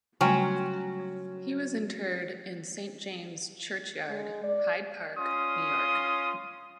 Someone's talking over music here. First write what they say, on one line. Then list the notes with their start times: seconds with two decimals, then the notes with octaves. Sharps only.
He was interred in Saint James Churchyard, Hyde Park, New York.
0.21 C#3 F#3 G3 A3 C#4 F4 G5
4.07 G#3
4.44 D5
5.17 C#4 F4 C6 D#6